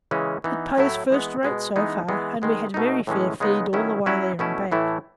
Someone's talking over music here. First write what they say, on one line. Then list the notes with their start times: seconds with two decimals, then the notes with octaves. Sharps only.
It pays first-rate so far, and we had very fair feed all the way there and back.'
0.11 C#3 E3 G#3 C#4
0.44 E3 B3 D#4
0.78 A2 F#3 A3 E4
1.10 E3 G#3 B3
1.43 B2 G#3 B3
1.76 E3 G#3 B3 D#4
2.08 E3 G#3 B3
2.42 D#3 G#3 B3
2.74 B2 A3 D#4
3.07 A2 E3 G#3 C#4
3.40 C#3 G#3 B3 D#4
3.73 D#3 F#3 C#4 E4
4.06 F#3 C#4 E4
4.39 B2 A3 C#4 E4
4.72 A2 E3 A3 E4